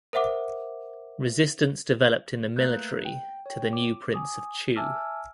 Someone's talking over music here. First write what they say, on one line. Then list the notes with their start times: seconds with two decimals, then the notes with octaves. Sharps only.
Resistance developed in the military to the new prince of Chu.
0.13 A#4 C5 E5 F#5 D6
2.56 A3 A#3 B4 F#6 G6
3.05 G5
3.46 C#5 G5
3.73 D6
4.14 G#5 D6 D#6
4.76 E5 G#5 A5 D6 E6 F6